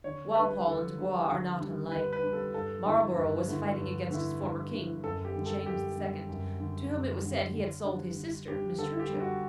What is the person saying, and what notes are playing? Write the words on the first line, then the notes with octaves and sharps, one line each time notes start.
Walpole and Dubois are not unlike. Marlborough was fighting against his former king, James II., to whom it was said he had sold his sister, Miss Churchill.
D3 C#5
G3 D4 B4
D3 A4
G3 D4
D3
G3 D4
D3 B4
B4
G3 D4
A4
G2 A4
D3 A3 E4
G2
D3 A3 E4
G2
D3 A3 E4
G2
D3 A3 E4
F#2 A4
G4
D3 G3
A4
F#2 G4
D3 G3
F#2
D3 G3
F#2
D3 G3
D3
G3 D4
D3
G3 D4 G4
D3 A4
G4
G3 D4
F#4